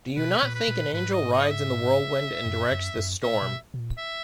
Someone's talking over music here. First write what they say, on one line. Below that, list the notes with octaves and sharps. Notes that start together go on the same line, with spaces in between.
Do you not think an angel rides in the whirlwind and directs this storm.
B2 B4
A#2
B4
A#2
G#2 B4
D#5
D#5
E5
F#2
F#2
F#2
A#2 E5
B2
B2
A#2
E5